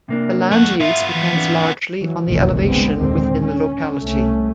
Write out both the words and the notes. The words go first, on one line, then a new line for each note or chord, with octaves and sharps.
The land use depends largely on the elevation within the locality.
C3 A#3 D4
F2 A3 F#5
B3 F4 E5
E3
E3 C4 D4
E3 F#3
F#1 C2 F2 B2 D#3 E3
D3 G#3 B3 C4
D#2 A#2 D3 D#3 G#3 C4
C#4
C2 A3 C#4